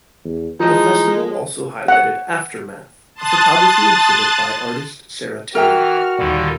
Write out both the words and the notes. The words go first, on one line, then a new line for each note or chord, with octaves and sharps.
The festival also highlighted "Aftermath," a photography exhibit by artist Sara Terry.
E2
E3 F3 G#3 D#4
F#5
A5 C6 D#6 F#6 A6
E3 F#4 A#4 E5 G5 F6
D#2 A#2 D3 D#3 G3